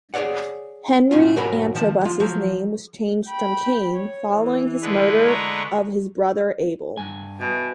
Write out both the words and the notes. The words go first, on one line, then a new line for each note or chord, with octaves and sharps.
Henry Antrobus's name was changed from "Cain", following his murder of his brother Abel.
G#4 A#4 C#5 D5 F#5
B1 A2 C#4 F4
B1 G#2 F#4 A#4 C#5 B5
D#3 F3 A5
F3 F4
F3 F#3
G5 B5
C#5
E3
D3 G#3 B4
A#5 C#6
G2 G#5
B2 E3